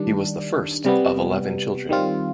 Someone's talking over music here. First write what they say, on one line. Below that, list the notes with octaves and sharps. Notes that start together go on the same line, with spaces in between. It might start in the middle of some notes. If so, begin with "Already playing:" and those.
He was the first of eleven children.
Already playing: D#3 G3 D4
C3 G3 B3
D#3 G3 C4 F4